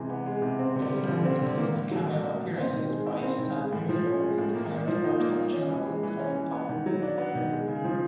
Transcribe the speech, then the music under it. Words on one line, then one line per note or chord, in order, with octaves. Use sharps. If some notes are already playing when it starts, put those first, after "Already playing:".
The film includes cameo appearances by Stan Musial and retired four-star general, Colin Powell.
Already playing: C3 E3 G#3
B3
G#3
C3
C4
D3
G3
D3
C4
D3
A#3
A2
F#3
A2
A#3
A2
C4
D#3
G#3
E4
C4
D#3
G#3
A2
F3
C#4
G#3
A2
A#3
A#2
F3
D#4
A#3
A#2
C#4
E3
G#3
E3
C#4
E3
B3
D#3
F#3
D4
B3
D#3
G#3
C#3
F3